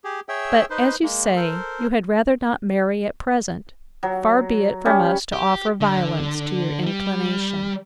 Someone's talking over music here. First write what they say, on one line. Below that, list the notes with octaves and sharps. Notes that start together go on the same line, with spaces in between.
But, as you say, you had rather not marry at present, far be it from us to offer violence to your inclination!
G4 G#4
G#4 C#5 E5 G5 E6
D#4 B4 C5
G#3 A#3
A4 A#4 C5
F#3
G3 C#4
G4
D3
G3